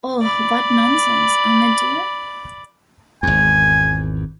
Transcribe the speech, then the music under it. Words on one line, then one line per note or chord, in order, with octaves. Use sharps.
Oh, what nonsense, Ahmed dear!
D5 B5
G#1 E2 G#5